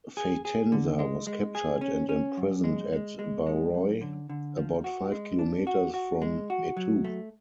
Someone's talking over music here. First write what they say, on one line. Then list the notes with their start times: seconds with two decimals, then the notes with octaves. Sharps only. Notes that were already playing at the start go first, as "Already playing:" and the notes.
Fatansa was captured and imprisoned at Barroi, about five kilometers from Metu.
0.17 G#4
0.45 G#4
0.72 D3
0.99 G#3
1.27 G#3
1.55 G#4
1.81 C#4
2.09 C#4
2.37 F#2
2.64 G#3
2.92 G#3
3.19 G#3
3.46 G#3
3.74 F#2
4.01 D3
4.30 D3
4.57 F3
4.84 F#4
5.12 G#3
5.39 D4
5.67 F#4
5.94 F#4
6.22 G#3
6.50 F#4
6.77 F#3
7.04 A3